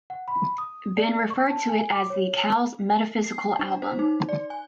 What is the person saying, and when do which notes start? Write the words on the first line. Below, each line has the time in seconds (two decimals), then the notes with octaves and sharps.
Been referred to it as The Call's "metaphysical" album.
0.10 F#5
0.28 B5
0.58 D#6
0.97 D5
1.30 C#6
1.49 A5
1.69 G#5
1.92 D6
2.10 C#5
3.24 C7
3.59 D4
3.82 C5
3.99 D#4
4.29 D5
4.50 G#5